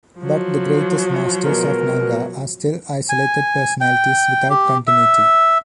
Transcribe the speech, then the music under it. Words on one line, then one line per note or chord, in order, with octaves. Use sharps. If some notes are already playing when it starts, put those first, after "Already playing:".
But the greatest masters of Nanga are still isolated personalities without continuity.
F3 F#3
B2 G#3 A#4
G#5
G5
G4
E5